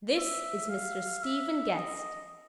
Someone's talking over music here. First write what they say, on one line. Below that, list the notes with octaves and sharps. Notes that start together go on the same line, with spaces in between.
"This is Mr. Stephen Guest."
E5
F5
E5
D#5